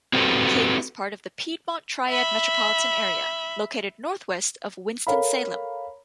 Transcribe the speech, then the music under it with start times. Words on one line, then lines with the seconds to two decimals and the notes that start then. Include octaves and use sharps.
King is part of the Piedmont Triad metropolitan area, located northwest of Winston-Salem.
0.13 C4 F#4 G4 A4 B4 D5
2.09 E5 B5
5.07 A4 A#4 C#5 F5 A#5 B5